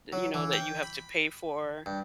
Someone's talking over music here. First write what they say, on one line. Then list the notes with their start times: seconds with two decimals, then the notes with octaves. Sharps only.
that, you know that you have to pay for.
0.12 F#3
0.34 E3
0.53 G5
0.83 B5
1.86 G2